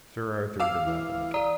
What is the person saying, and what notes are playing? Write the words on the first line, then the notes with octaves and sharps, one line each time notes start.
Sir Arthur did not like it.
F5 D6 E6
E3
D5 A#5 D#6